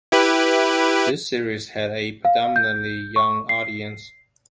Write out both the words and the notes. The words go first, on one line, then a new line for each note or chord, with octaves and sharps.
The series had a predominantly young audience.
E4 G4 B4
F5
G6
C#6
C7